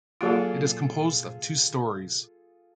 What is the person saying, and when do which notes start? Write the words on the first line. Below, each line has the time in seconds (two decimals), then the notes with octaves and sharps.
It is composed of two storeys.
0.21 F#3 A#3 F4 F#4 G#4 A4